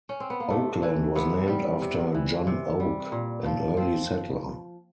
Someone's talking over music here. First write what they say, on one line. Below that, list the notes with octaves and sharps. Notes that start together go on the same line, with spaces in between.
Oakland was named after John Oak, an early settler.
C#4
C4
B3
A#3
C3 A3
E3
C3 B3
G3
C3
E3
C3
G3
A#2
F3
F3 C4